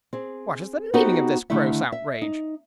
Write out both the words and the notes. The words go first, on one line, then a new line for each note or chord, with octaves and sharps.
'What is the meaning of this gross outrage?
C4 G#4
B3 D#4 F#4 G4 A4 C5
D3 D#3 A3 E4 E5
E5
D#4